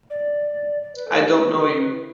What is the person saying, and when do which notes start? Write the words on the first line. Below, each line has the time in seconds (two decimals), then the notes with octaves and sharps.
I don't know you!
0.10 D5
0.83 D5
0.95 B4
1.07 A4
1.19 G4
1.37 D4
1.55 G4
1.68 A4
1.79 B4
1.92 E4